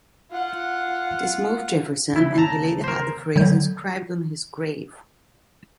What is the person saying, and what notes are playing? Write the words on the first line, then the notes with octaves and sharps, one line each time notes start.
This moved Jefferson, and he later had the phrase inscribed on his grave.
F4 F#5
D#2 A2 C#3 E4
A5 A#5
A#4 C5
D3 F#3 G6